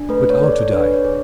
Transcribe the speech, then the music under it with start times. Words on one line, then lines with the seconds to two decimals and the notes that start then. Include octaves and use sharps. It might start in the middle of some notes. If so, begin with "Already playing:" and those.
But how to die?
Already playing: D4
0.09 A3 B4
0.30 C#5
0.41 A4 D5
0.52 C#5
0.72 D4 B4
0.94 C#5
1.05 G#4